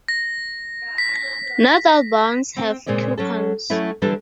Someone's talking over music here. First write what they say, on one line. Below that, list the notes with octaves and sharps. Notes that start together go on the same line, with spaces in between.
Not all bonds have coupons.
A#6
B6
C4 G5
A#2 C#3 G#3 C4 D5
F#3 C#4 A4
F#3 A3 C#4 E4
D3 E3 F#3 G3 D4 A4